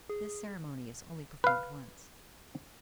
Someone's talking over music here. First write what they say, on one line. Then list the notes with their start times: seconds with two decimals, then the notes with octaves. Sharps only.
This ceremony is only performed once.
0.09 G#4
1.44 B4 F5